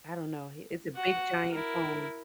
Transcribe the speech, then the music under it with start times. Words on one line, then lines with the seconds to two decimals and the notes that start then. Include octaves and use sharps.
I don't know h it's a big giant phone.
0.96 F#4 F#5
1.51 E4 A#4